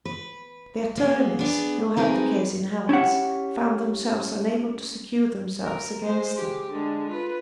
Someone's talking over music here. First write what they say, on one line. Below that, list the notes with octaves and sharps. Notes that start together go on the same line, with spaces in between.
The attornies who had the case in hands, found themselves unable to secure themselves against her.
B4
A#3 B3 G#4
B3 D4 G#4
C4 D#4 G#4 A#4 B4 D5
C#4 E4 G4 F#5
A#4
G#3 C5
G#3 G4
D3 G#3
F4 B4